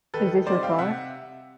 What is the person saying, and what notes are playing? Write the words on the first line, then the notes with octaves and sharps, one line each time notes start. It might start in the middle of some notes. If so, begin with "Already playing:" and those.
Is this your car?
D#3 A4 B4
G3 C4 D#4 C5 D5
F5 G5
C3 E5 F#5